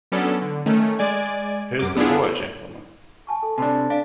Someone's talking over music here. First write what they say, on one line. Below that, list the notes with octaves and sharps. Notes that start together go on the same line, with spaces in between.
Here's the boy, gentlemen!
F#3 B3 C#4 D4 A4
D3
D#3 A3 C#4
G#3 D5 G#5
F#2 D6
B3 D4 E4 F4 G#4
G#5 A5 C#6
A4
C3 D4 A5 B5 D#6
D4 F5